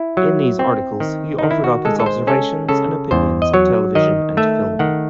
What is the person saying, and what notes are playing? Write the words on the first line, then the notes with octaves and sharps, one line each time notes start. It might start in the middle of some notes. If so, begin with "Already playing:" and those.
In these articles he offered up his observations and opinions of television and film.
Already playing: E4
F#3
C4
D#3
D#3 D#4
E4
F#4
G#3 A4
A4
C5
C#4 A4
C#3 A4
E2 C5
D#5
F#3 C#5
D#3 D#5
A3 E5
D#3 F#5